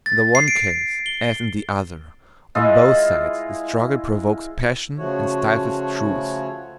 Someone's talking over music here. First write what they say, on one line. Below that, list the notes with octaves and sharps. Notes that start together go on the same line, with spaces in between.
In the one case as in the other, on both sides the struggle provokes passion and stifles truth.
A6
C7
D7
G7
G#3 E4 F4 D#5
C#3 F3 A3 F#4 C#5